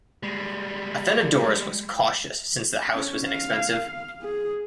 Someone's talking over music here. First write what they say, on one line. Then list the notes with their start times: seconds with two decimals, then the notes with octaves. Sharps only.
Athenodorus was cautious since the house was inexpensive.
0.23 G3 G#3
2.94 C#4 C#5
3.27 F5
4.22 G#4